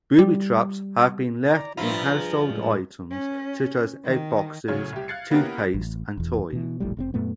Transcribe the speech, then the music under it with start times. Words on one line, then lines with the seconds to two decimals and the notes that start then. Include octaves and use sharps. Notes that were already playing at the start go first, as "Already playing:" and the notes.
Booby-traps have been left in household items such as egg boxes, toothpaste and toys.
0.19 G3
1.50 D5 A#5
1.77 G2 F3 F4 E5 A#5 B5
2.06 G#4 A#5
2.50 A2 G#3
3.11 C#4
4.04 D#3
4.68 A2 C#3 F#3 C#4 G#6
4.92 C2 G4
5.08 F5 F#6 G#6 A6 C7 C#7
5.30 A#3 B3 C#4 E4 G4 A#4
5.74 A1
6.17 E1 E2
6.53 B2 E3
6.80 E1 A#1 A2 G3
6.97 F1 C3 C4
7.14 F#2 A#2 A3 B3